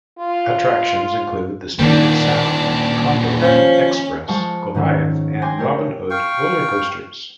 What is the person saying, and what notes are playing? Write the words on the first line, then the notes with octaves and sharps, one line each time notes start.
Attractions include the Speed of Sound, Condor, Xpress, Goliath and Robin Hood roller coasters.
F4
A#2 D#3 G3 A#3 D4 D5
F3 C#4
F3 G#3 F5 A5 C#6
G#2 D#3 C#4 E6
G5 G#5 C6 D6 G6 A#6
A3 G4 A#4 C#5
F5 G5 C#6